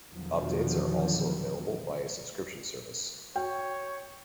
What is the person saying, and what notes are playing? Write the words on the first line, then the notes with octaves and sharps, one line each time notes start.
Updates are also available by a subscription service.
E2 B2 D3 D#3 F3 F#3
F#4 C#5 G5